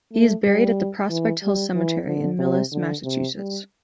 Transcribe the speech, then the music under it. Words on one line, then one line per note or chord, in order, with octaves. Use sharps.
He is buried at the Prospect Hill Cemetery in Millis, Massachusetts.
A3
G3
E3
G3
E3
D3
C3
D3
C3
G3